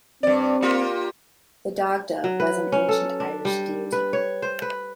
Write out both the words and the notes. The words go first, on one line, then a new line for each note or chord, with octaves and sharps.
The Dagda was an ancient Irish deity.
G2 C4 D5
A#3 F4 G4
F#3
B4
C#4
A4
D4
G3
B4
C#5
C5
B4